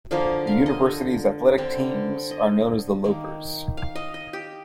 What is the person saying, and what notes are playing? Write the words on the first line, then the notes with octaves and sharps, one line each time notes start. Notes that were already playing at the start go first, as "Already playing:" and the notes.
The university's athletic teams are known as the Lopers.
D3 F3 A#3 F5
F5
D#5
D3 G3 C4
D#5
D#3 A#3
F5
D#5
D#5
G4